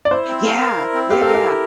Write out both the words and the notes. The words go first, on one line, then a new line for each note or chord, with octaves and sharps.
Yeah! Yeah, yeah.
D5
E4 C5
C4
F5
A#4
E4
C4
G4 F5
A4 A#4
G4
E4